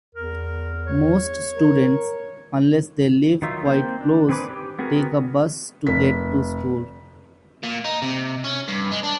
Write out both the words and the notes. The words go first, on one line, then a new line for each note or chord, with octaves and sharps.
Most students, unless they live quite close, take a bus to get to school.
E2 A#4
C#5
A#4
D#3 F#3 D#4 F4 E5
A#3 C4 G5
D4
D#3 C4 G#4 B4 D6
G4
B3 C4 F#4 G#4 A#4
F1 B6
A#2
D#4
C3
C#4
G2
G#3
D4